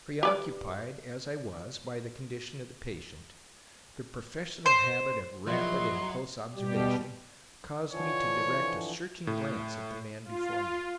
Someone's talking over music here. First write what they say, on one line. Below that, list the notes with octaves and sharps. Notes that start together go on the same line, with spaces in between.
Preoccupied as I was, by the condition of the patient, the professional habit of rapid and close observation caused me to direct a searching glance at the man before me.
G4 B4 D5
C5
A#1 F#3 E4 D#5 C6
B2 G3 G4
D3 E3 F3 C#5
A2
F4